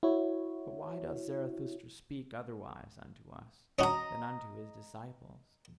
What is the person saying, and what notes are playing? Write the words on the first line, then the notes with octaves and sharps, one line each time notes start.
"But why doth Zarathustra speak otherwise unto us than unto his disciples?"
E4 F#4 C#5
C#4 D#4 F#4 D#5 A#5